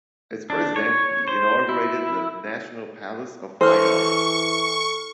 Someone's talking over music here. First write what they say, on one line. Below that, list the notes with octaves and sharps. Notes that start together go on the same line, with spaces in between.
As president, he inaugurated the National Palace of Fine Arts.
D4
C#5
C5
E4
E3 A4 C5 C#6 F6